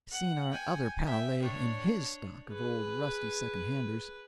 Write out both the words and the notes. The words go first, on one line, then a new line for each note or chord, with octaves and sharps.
I seen our other pal lay in HIS stock of old rusty second-handers.
F#5
G5 G#5
E5 G5
D4 C#5
G#4 B4